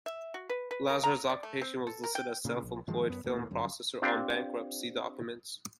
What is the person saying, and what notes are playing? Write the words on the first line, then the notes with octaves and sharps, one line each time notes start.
Lazar's occupation was listed as self-employed film processor on bankruptcy documents.
E5
F#4
B4
B4
A#4
A#5
D5
A3
C4
A4
A#4
G5
A#2 C#3
A#1
G2 D#3 F3 G#3
F#2 B3
D#1 D#2 A2 A#3
G1 F#2
C4 D4 F4 G4 F5 G5